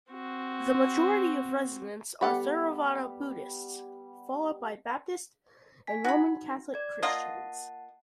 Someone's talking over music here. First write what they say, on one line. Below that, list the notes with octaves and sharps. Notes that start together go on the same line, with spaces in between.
The majority of residents are Theravada Buddhists, followed by Baptist and Roman Catholic Christians.
C4 F#4
G3 B3 A4 F#5 B5
G#5 B6
D#4 F#4 B5
D5 G#6
A#3 F4 D#5 F#5 A5